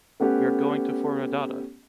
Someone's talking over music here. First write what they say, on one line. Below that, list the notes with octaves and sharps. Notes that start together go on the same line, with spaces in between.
We are going to Foradada.
A3 B3 C#4 G4 F#5